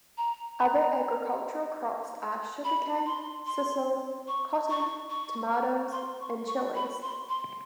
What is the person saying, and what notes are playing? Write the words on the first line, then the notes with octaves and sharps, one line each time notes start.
Other agricultural crops are sugar-cane, sisal, cotton, tomatoes and chillies.
A#5
A#5
B5
C6
C6
C#6
C#6
C#6
C6
C#6
C#6
B5
C6
C6